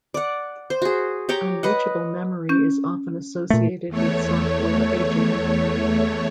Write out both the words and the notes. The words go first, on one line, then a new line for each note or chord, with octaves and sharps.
Unreachable memory is often associated with software aging.
D5 F#5
C5
F#4 G#4
G4 C#5 G5 A#5
B4 D#5 F#5
C#4 G6
A#2 A3
E2 A3 C#5